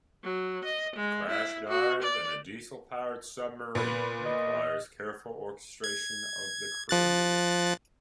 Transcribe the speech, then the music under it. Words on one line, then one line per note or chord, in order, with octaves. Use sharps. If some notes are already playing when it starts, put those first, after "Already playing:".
A crash dive in a diesel-powered submarine requires careful orchestration of the crew.
F#3
D#5
G#3
E4
F#4
D5
A#2 B3 B4
D#5
G#6
F3 F#6 A6